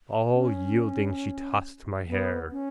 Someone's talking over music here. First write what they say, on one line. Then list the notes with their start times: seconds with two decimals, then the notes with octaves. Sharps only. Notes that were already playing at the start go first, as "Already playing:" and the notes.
All yielding she tossed my hair.
0.33 C#4
2.08 B3
2.52 C#4